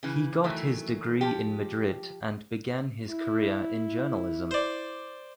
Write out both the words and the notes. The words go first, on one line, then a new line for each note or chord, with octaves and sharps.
He got his degree in Madrid and began his career in journalism.
C#3 E3
D#3 E3 F#3 A3
F3 G4
E4
C5 D5